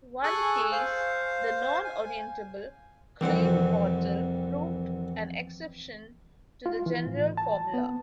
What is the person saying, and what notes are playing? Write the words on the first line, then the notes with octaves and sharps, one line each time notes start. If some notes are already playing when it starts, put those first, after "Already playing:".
One case, the non-orientable Klein bottle, proved an exception to the general formula.
G#4 A4 G#5 C#6 F#6
C5 F5
G#5
C2 F2 E3 C4 F#5
F4
E3
A2
A5
B3